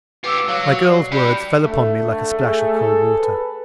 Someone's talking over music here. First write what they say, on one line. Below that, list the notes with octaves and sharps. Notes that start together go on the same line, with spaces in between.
My girl's words fell upon me like a splash of cold water.
F4 G4 B4 D6 E6
F#3 F5
D5 C7
G4 B4
D3 A3
D3
G#4
A4
B4